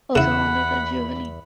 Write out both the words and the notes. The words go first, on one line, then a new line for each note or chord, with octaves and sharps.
Also one daughter, Giovani.
E2 C#3 E4 F#5 B5